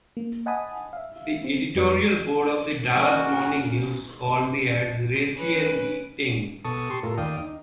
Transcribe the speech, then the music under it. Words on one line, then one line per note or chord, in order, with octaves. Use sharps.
The editorial board of the "Dallas Morning News" called the ads "racially tinged".
A#3
D#5 F#5 G#5 A5 B5 D#6
E5 F5
C4
F2 G3 G4 B4 D5 B5
A#3 C#4 F#4
C#4 B4
B2 A4 A5 C#6 D#6
G4 A5 C6 C#6
A2 F4 A4 A#4
D#2 D5 F5 G5 D#6
D#4